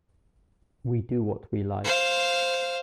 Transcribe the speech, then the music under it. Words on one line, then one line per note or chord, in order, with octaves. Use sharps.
We do what we like.
C5 F5